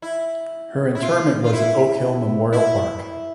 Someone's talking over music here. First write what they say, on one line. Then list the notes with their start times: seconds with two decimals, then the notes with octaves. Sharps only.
Her interment was at Oak Hill Memorial Park.
0.02 E4
0.95 E4
1.02 F4
1.44 F4
1.53 E4
2.53 E4